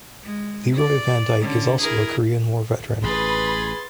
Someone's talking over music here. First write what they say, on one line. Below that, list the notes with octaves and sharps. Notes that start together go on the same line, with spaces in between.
Leroy Van Dyke is also a Korean War veteran.
G#3
D5
D3 C#4
E4 G#4 A#4
A1 G#4 B4 B5 C6 A6